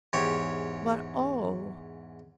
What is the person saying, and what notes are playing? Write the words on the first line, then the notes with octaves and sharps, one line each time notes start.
But oh!
E2 G#2 G4 C#5